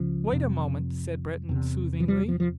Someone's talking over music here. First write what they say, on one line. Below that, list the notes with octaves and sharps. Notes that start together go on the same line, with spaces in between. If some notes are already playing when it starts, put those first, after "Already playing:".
"Wait a moment," said Breton, soothingly.
Already playing: C#2 C#3 F3
F2 C3
E2 C3
F3
G3
F3
F3